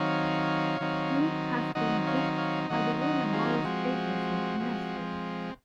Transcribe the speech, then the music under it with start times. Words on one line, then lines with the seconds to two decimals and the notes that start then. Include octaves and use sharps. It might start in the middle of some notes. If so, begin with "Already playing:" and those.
He has been booked by the William Morris Agency in Nashville.
Already playing: D#3 F#3 C4 D#4 C#5 F5
0.81 D#3 F#3 C4 D#4
1.75 D#3 F#3 C4 D#4 D#5 F#5
2.07 C#5 F5
2.38 C#5 F5
2.70 D#3 F#3 C4 D#4 D#5 F#5
3.02 D#5 F#5
3.33 F4 G#4
3.65 F3 G#3 C4 F#4
4.60 F3 G#3 C4